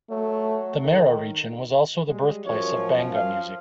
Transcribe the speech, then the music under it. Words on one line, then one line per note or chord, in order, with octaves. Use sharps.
The Mara Region was also the birthplace of Benga music.
F#3 A3
D#3 A3
G3 G#3
F#2 F3 F4 C#5
F5